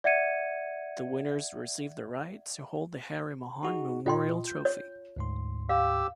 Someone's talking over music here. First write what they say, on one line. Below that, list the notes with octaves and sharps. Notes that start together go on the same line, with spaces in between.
The winners receive the right to hold the Harry Mahon memorial trophy.
D5 E5 F#5 G#6 C#7 D#7
D#4 F#4 G#4
A#2 F4 D#5 G5 C6
G6
C#5
D2 G#2 C6
G4 F5 E6